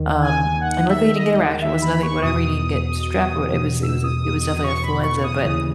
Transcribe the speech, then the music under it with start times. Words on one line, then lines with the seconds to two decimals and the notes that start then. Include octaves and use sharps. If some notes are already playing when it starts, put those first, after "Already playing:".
Um, and, luckily, he didn't get a rash, it was nothing whatever, he didn't get strep, or what it was it was a it was definitely influenza. But,
Already playing: D#2 D#3
0.22 G#5
0.61 F#5
0.88 E5
1.16 D#5
1.62 E5
1.82 B5
2.03 C#6
2.23 E2 B2 D#6
3.83 E6
4.04 D#6
4.24 D#6
4.43 D#6
4.64 C#6
4.83 B5
5.03 C#6
5.24 D#6
5.43 D#2 C#3 E3 D#6